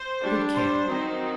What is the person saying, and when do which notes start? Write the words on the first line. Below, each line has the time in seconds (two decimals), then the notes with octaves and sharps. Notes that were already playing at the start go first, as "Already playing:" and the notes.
Good camp.
Already playing: C5
0.20 G3 D4
0.53 C5
0.87 D#3 F#3 C4 D#4